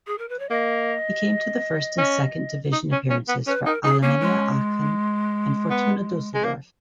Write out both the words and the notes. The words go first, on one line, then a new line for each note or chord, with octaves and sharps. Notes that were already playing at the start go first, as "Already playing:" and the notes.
He came to first and second division appearances for Alemannia Aachen and Fortuna Dusseldorf.
G#4
A#4
B4
C#5
A#3 D#5
C#4
D#4
C#4
C#4
B3
C#4 B4
D#4 A#4
D#4 G#4
A#3 C#4
G#3
B3
G#3
A#3